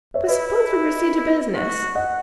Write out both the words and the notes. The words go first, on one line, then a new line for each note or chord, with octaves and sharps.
But suppose we proceed to business.
C#5 E5
E4 B4 D#5
F#4
D#5 F#5